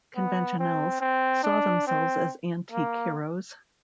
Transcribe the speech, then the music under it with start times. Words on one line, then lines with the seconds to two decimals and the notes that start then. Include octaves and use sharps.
"Conventionels" saw themselves as antique heroes.
0.16 B3
0.59 C4
1.01 C4
1.43 D4
1.87 C4
2.72 A#3